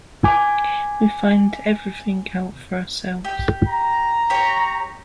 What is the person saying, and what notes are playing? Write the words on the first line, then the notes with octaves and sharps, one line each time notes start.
We find everything out for ourselves.
G#5 D6
G4
A#5
G4 C#5